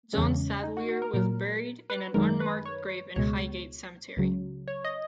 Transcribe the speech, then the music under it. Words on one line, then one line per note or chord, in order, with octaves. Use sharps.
John Sadleir was buried in an unmarked grave in Highgate Cemetery.
E2 C#3 G#3 C#4
D#4
F#4
F#4
A#4
A#2 F#3 A#4
B4
F#2 D#3 G#3 A#4
B4
C#5
C#2 B2 G#3 C#5
C#2 C#3 F#3
C#5
D#5